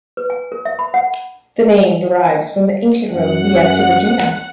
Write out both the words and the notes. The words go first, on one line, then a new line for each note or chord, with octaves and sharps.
The name derives from the ancient road Via Tiburtina.
B4
G#5
A#4
E5
B5
F#5
F#2 F#5